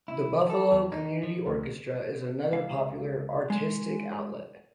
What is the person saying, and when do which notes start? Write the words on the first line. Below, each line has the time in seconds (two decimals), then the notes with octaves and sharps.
The Buffalo Community Orchestra is another popular artistic outlet.
0.08 E4
0.50 A4
0.72 E2
0.92 D#4
1.23 F3
1.46 D2
2.52 C#2 F5
3.50 G#3